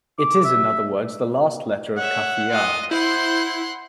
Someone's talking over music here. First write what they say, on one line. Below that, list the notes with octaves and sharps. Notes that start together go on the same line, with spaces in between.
It is in other words the last letter of Qaafiyaa.
D6
E5
C#5 E5 F#5
F4 D#5
E4 C5 F#5 C6